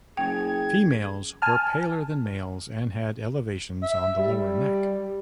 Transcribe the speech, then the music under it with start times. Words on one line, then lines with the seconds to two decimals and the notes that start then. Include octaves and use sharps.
Females were paler than males and had elevations on the lower neck.
0.17 F#1 G#4 G5 G#6
1.42 G#5 A5 F6
3.83 E5
4.18 G3